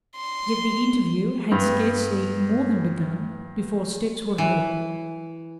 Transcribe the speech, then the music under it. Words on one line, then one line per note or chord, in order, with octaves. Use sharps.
Yet the interview had scarcely more than begun before steps were heard.
C6
G2 B3
E3